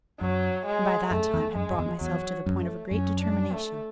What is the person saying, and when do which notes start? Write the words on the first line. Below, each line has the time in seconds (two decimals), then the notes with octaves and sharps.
And by that time had brought myself to the point of a great determination.
0.21 F#2 F#3
0.66 G#3
1.11 F#2 A3
1.34 E2
1.55 F#2 G#3
1.72 F#2
1.79 E2
2.01 E2 F#3
2.46 F#2
2.61 A3
2.91 F#2 C#4
3.21 D4
3.51 A3